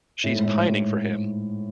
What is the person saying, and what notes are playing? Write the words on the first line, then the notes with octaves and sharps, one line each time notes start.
She's pining for him.
A2
G#2
A2